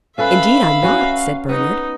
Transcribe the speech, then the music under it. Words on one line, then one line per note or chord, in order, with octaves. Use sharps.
"Indeed I'm not," said Bernard.
C#4 A4 B4 E5 F5 B5
F#3 C#4 F#4
B3 D#4